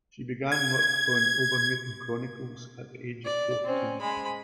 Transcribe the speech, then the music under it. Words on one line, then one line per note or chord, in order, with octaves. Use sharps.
She began work on "Obernewtyn Chronicles" at the age of fourteen.
G#6
D5
C4 C#4
G#3 B5